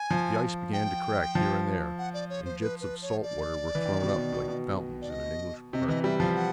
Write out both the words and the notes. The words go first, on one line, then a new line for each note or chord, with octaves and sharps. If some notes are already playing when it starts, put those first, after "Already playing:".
The ice began to crack here and there, and jets of salt water were thrown up, like fountains in an English park.
Already playing: G#5
F3
G5
F3
F#5
D5
C#5
C5
B4
B4
C#5
D5
E3
D#3
B2
B2
B2
B2
D5
D#5
C3 D#5
E3 D#5
G3 E5
F3 F5
F#5